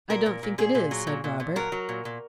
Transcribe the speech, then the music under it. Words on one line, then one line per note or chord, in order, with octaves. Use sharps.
"I don't think it is," said Robert.
A#2 A#4
A#2
A#2
A#2 G#4
A#2
F#3
A#2
A#2
A#2
F#3 A#4
F#3
A#2
A#2